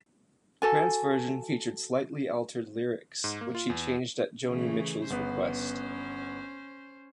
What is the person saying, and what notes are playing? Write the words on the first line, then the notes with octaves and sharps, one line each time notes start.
Grant's version featured slightly altered lyrics, which she changed at Joni Mitchell's request.
F#4 A4 G#5
G#2
A#3
F4
E2
C#3 E3 A3
G1 B3 C#4 B4 C5